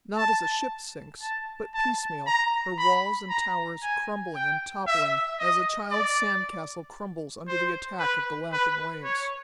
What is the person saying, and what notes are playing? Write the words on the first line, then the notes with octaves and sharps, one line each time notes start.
Not as a ship sinks, but piecemeal, her walls and towers crumbling and toppling as a child's sand-castle crumbles under the attack of the lapping waves.
A5
A5
A5
A#5
B5
A#5
G#5
G5
E5
D#5
D5
C5
B4
B4
C#5